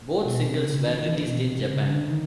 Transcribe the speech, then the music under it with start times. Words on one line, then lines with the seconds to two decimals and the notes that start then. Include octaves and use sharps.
Both singles were released in Japan.
0.24 B2
0.45 C3
0.65 C#3
0.86 D#3
0.98 D#3
1.07 E3
1.27 B2
1.48 C3
1.69 C#3
1.89 D3
2.10 D#3